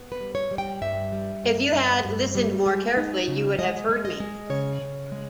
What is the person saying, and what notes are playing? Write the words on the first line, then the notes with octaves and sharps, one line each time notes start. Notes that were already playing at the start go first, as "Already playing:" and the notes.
If you had listened more carefully, you would have heard me.
Already playing: B3
B4
G3
C#5
G3
G5
G2 E5
G3
G2
G2
G2
G3
G#3
D#4
C#3
G#3 D#5
G#3
D#5
G#3
C#3 C#5
C#3
G#3